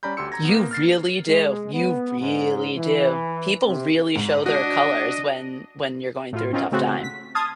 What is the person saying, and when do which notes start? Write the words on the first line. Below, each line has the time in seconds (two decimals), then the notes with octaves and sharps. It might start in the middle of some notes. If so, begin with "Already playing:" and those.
you really do. You really do. People really show their colors when, when you're going through a tough time.
0.03 G3 C#4 D5 A#5 B5 G6
0.17 D2 G4 C6 E6 C#7
0.32 A#5 G#6 A#6
0.45 A#3 B3
0.71 F6 A6 C7
1.26 G#3
1.73 B3
2.20 G#2
2.75 E3
3.65 C3
4.15 G#2
4.46 D4 F#4 D#5
6.33 A2 F4
6.53 C4 C#4 D#4 F4 A#4
6.72 C#3 A3 C4 F#4
7.04 B6
7.35 A5 C6 D#6 F6 G#6 A6